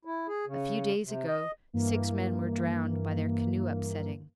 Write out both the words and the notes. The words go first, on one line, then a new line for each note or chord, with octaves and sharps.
A few days ago six men were drowned by their canoe upsetting.
E4
G#4
C#3
C3
D#5
G2 E3 A#3